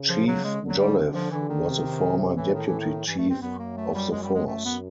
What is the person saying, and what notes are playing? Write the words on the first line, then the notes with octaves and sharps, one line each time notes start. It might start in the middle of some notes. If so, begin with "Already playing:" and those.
Chief Jolliffe was a former Deputy Chief of the force.
Already playing: C#3
F3
F#3
G#3
D3
F#3
G3
F3
D3 E3
D#3
C3
A2 E3
D#3
E3
D#3
G2 E3
A3
C4
F#2 B3
A#3
A3
G3
G#3
G3
G#3
F#2 A3
B3